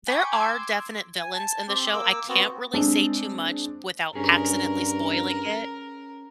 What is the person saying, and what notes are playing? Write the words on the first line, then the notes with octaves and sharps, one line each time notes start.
there are definite villains in the show. I can't really say too much without accidentally spoiling it,
G5 G#5 B5 C#6 D6 G#6
C6 D6 E6 G#6
G#5
A5
C4 G4
A#3 D6 E6
B3 C4 F#4
G#3 C4 D4
G2 C#4 G#4 A#4